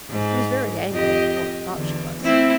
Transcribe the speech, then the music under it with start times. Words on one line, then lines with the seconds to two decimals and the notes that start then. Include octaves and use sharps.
She was very angry, or thought she was.
0.10 G#2
0.93 F2 G4 D#5
1.71 E2 D3
2.21 A3 C4 E4